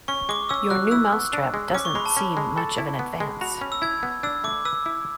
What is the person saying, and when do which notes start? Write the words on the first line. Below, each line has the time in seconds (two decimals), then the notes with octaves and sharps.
Your new mouse trap doesn't seem much of an advance.
0.08 C#4 C#6
0.29 G#3 D6
0.49 C#4 E6
0.70 F#3 F#6
0.91 E4 E6
1.13 B3
1.33 D4
1.54 G#3
1.74 C#4 D6
1.85 C#6
1.95 G#3 B5
2.06 A5
2.17 C#4 B5
2.37 G#3
2.58 A4
2.78 E4
2.99 B3
3.20 G#3
3.41 F#4 B5
3.61 C#4
3.72 E6
3.82 E4 G#6
4.03 B3
4.23 D4 E6
4.44 A3 D6
4.65 B4 E6
4.86 E4